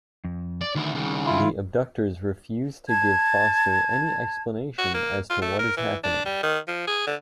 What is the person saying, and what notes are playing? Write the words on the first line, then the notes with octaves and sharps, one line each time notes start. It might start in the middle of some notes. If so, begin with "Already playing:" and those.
The abductors refuse to give Foster any explanation as to what is happening.
F2
D5
D2 D#3 E4
C2 C#3
E4 F4
A5 G#6
F#4
A#3
F4
A3
A#4
E3
D4
G3
D#3
F3
G#4
D3